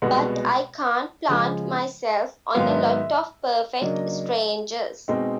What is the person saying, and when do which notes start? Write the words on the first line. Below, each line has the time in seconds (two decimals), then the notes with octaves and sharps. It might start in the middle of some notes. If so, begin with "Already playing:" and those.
But I can't plant myself on a lot of perfect strangers.
0.02 C2 B2 G#3 B3 F#5
1.28 C#3 F3 G#3 C#4
2.54 G#2 D#3 F#3 B3 F5
2.66 E5
2.77 D#5
2.88 E5
3.81 C#3 F#3 A#3 D4 D#5
5.08 B2 G#3 C4 D#4